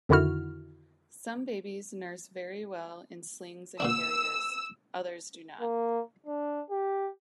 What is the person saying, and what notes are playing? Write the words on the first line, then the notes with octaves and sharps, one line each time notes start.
Some babies nurse very well in slings and carriers, others do not.
F2 D3 D#3 E4 F#4 F6
A#2 D3 D4 E6
A#3
D4
G4